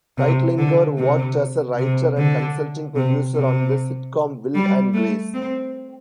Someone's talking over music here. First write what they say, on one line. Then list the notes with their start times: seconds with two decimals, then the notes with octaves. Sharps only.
Kightlinger worked as a writer and consulting producer on the sitcom "Will and Grace".
0.18 C3
0.58 D3
0.98 C3
1.78 C3
2.17 D3
2.96 C3
3.35 C3
4.55 G3
4.93 A3
5.34 C4